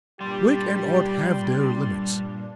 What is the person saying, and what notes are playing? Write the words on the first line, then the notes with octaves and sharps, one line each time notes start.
Wit and art have their limits.
G2 A#2 G3 D4 G4 D5 C6